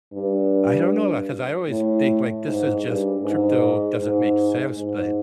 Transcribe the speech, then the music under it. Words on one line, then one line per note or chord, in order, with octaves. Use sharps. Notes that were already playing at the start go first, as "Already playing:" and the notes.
I don't know, uh, ‘cause I always think, like, this is just crypto doesn't make sense, but
G2
A2
G#2
G2
G#2
G#2
G#2